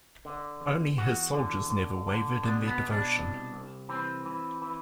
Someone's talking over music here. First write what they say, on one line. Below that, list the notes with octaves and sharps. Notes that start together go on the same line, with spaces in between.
Only his soldiers never wavered in their devotion.
D3
E2
E2 F#4
D3
D3
D3
B2 D4
B3
B2
D4
C2
C2
E3 C4
E3
E3